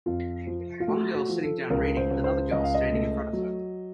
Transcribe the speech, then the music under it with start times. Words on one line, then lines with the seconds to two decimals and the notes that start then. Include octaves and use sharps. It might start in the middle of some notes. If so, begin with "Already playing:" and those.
One girl sitting down reading and another girl standing in front of her.
0.06 F2 F4
0.47 F3
0.80 F4
0.87 A3 F#4
1.15 F#4
1.29 F3
1.43 A4
1.70 C#2 A#4
1.97 C5
2.11 C#2
2.24 C5
2.51 C#2 D#5
2.64 F5
2.74 D#5
2.93 A3
3.33 F#3